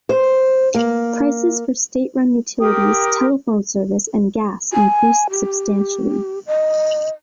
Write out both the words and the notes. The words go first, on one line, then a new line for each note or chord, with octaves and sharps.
Prices for state-run utilities, telephone service, and gas increased substantially.
C5
A#3
G4 A#4 G5 D#6
G#5
G4
D#5